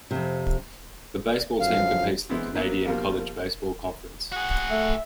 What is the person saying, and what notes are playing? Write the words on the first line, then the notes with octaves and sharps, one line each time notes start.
The baseball team competes in the Canadian College Baseball Conference.
F2 C3
F#2 D3 F3 F5
E3 G#3 B3 C4 E4
F#3 A#3 B3
B2 F3 G3 A#3
F#4 G#4 F#5
A3 E5